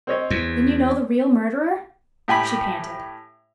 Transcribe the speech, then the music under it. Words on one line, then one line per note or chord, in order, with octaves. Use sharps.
"Then you know the real murderer?" she panted.
C4 C#5 D#5
E2
A2 G4 G#5 B5